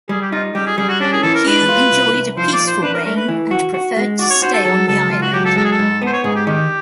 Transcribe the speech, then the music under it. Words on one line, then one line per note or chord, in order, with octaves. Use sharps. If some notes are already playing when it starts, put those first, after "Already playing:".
Hugh enjoyed a peaceful reign, and preferred to stay on the island.
G3 G#4
G4
D#4 F4
G3 G4
G#4
G3 G#4
F#4
C#4 D4
G#4
E3 A4
A#4
G#3 B4
F4
C2
C2
F3 C5
D5
A#2
C5
D4 B4
A#4
A3 A#4
B4
E3
F#4
F#4
G#3
F#4 D5
C#5
F#4 C5
A4
F#3 A4
C#2 A4
C#2 F4
F#4
F#3 G4
A4
G#3 A4
G#4
A4
G#2
B3
C5
C#5
G#2 G#4
G4
D#3 G4